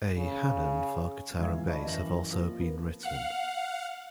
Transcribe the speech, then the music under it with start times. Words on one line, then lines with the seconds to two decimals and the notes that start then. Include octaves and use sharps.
A "Hanon" for guitar and bass have also been written.
0.18 C#3
1.38 G1 C#2 E3 F5 G#6
1.69 D5 D#5 F5 A5 B5 C#6
1.85 F#2 E3 E5 A#6 F#7
2.31 F3 A#3
2.60 A#3 B3
3.03 F5 F#5